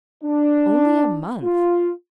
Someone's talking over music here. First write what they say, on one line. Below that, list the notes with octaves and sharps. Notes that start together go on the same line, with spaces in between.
Only a month!
D4
F4